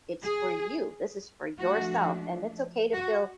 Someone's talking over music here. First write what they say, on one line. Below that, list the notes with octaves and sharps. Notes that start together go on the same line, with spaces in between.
it's for you, this is for yourself. And it's okay to feel
G#4
F3 A3 D4 F#4
F#4